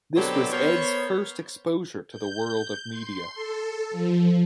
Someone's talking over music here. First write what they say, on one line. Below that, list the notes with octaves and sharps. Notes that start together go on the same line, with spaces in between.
This was Ed's first exposure to the world of media.
B2 D3 F#3 C4 G4 A4
B3 A#4 C5 C#5
G6
C6
A4
F3